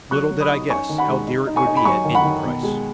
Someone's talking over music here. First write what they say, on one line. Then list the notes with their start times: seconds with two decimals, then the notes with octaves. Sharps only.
Little did I guess how dear it would be at any price!
0.11 F#3 C#6 F#6
0.31 F#3
0.41 B5 D#6
0.51 D#4
0.69 C#4 G#5 C#6
0.89 D#3
0.98 F#5 B5
1.08 G#3
1.27 D#4
1.47 D#4
1.56 G#5 C#6
1.67 D#4
1.76 B5
1.85 F#3 G#5 C#6
2.05 D#3
2.15 F#5 B5
2.24 D#3
2.44 B2
2.63 G#3